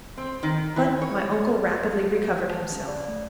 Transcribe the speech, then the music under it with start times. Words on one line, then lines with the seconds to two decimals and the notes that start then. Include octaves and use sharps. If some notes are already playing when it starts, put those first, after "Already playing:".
But my uncle rapidly recovered himself.
0.17 C4
0.43 D#3
0.76 E3
1.02 C#5
2.50 A5
2.72 C#4
2.87 D5
3.08 A3